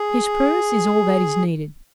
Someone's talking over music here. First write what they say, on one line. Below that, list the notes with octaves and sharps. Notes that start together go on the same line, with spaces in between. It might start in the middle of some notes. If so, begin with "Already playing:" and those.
His purse is all that is needed.
Already playing: G#4